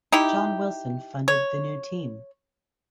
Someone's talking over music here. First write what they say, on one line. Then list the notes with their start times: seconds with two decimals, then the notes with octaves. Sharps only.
John Wilson funded the new team.
0.12 D#4 E4 G4
1.28 C#5